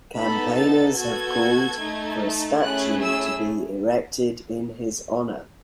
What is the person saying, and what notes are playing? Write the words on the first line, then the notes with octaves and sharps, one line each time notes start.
Campaigners have called for a statue to be erected in his honour.
B3 D#4 A4 B5
A6
B3 F#4 A4 G#6
A3 D#4 A4
A3 C#4 E4 G#4 F#6
E6